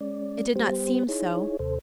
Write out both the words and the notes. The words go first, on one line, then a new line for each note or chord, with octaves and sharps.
It did not seem so.
G#3 C#4 D5
G3 B3 G4 C5
D#4 E4 G#4 C#5
D#2 C3 A4 C5